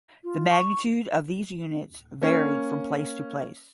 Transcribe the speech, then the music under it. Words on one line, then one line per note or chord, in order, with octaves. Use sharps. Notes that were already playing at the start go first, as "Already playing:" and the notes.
The magnitude of these units varied from place to place.
F4
C#6
A#3 C#4